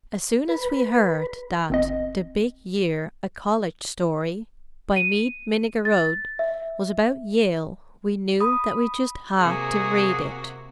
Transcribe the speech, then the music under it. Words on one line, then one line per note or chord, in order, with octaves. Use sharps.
As soon as we heard that "The Big Year--A College Story" by Meade Minnigerode was about Yale we knew that we just had to read it.
B4
G1 C4 D#5
D#7
A6
E5
B5 D#6
C3 A#3 F#4 G#4